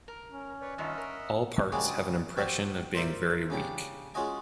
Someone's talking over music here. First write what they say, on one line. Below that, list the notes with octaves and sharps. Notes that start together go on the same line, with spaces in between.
All parts have an impression of being very weak...
A#4
C#4
B4 C#5 D5
G2 D#3 F4 D#5 E5 F#5
A#4
C#3 G3 G#3 D4 F#4 G#4
C4 F#4 G4 C5
F4 A#4 C5 D5 E5
C#3 D4 G4
G#3 C#4 F4 F#4 D#5 G#5